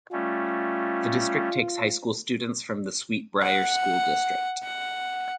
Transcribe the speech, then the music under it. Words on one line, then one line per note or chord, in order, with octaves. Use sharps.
The district takes high school students from the Sweet Briar School District.
G3 A3 C#4 F4
F#5
F#5